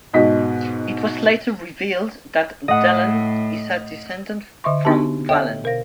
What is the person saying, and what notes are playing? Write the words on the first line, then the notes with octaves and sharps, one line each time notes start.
It was later revealed that Delenn is a descendant from Valen.
G#2 B2 D#5 B6
A2 D#5 F#5
D3 D#5 E5 C6 C#6
B3 D4 D#4 F#4 G4 A5
A4 C#5 D#5 E5 G5
B2 A#4 C5 F5 A#6